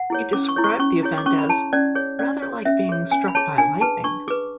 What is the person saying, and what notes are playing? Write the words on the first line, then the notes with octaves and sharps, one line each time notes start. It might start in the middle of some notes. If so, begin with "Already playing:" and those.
He described the event as "rather like being struck by lightning".
Already playing: F#5
E4 G#4 C#5
C#4 D6
C#6
E4 G#4 C#5
C#6
C#4 C#6
E4 G#4 C#5
D6
C#4 C#6
B5
E4 G#4 C#5 A5
C#4 D5
G#4 C#5
C#4 D5
G#4 C#5
C#4 E5
G#4 C#5
C#4 G#5
B5
G#4 C#5 A5
D4 G#5
G#4 B4 A5
D4 C#6
G#4 B4 D6